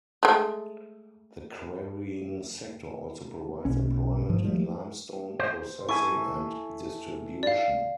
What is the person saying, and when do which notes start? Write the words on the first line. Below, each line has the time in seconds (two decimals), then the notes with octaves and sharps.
The quarrying sector also provides employment in limestone processing and distribution.
0.23 G#3 A3
3.65 B1 C#4
4.29 G#2 F3
4.44 F3 G3 A3
5.39 C5
5.89 E4 A4 G#5 C#6
7.43 D5 F5